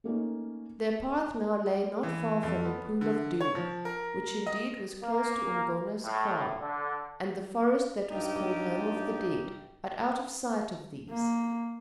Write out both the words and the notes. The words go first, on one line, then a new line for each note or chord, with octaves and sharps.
Their path now lay not far from the Pool of Doom, which, indeed, was close to Umgona's kraal, and the forest that was called Home of the Dead, but out of sight of these.
A3 A#3 C#4 D#4
E3
F2
B3
D3
C#5
F3
A#4
D#5
A#3
A2
D3
G2 F#3 D#4 G4
A#3